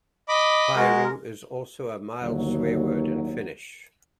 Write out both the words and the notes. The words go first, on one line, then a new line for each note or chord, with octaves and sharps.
"Piru" is also a mild swearword in Finnish.
D#5 B5 D6
G#3 F#4 A#4
G1 D#2 F#3